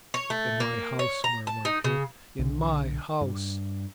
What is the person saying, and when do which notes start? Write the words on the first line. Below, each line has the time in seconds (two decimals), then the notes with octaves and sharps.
"In my house," murmured he, "in my house!"
0.14 C#5
0.30 A3
0.60 A#3
0.99 C#5
1.24 A#5
1.47 A5
1.65 D#4
1.84 C#3
2.39 B1 D3
3.21 G2